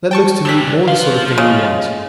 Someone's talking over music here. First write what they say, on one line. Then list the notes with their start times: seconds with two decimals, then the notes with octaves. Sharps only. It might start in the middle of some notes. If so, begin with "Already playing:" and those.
That looks to me more the sort of thing we want.
0.11 G5 A5 C#6
0.45 G2 E3 C#5 E6 B6
0.87 F3 B4 F5
1.38 C#3 D#5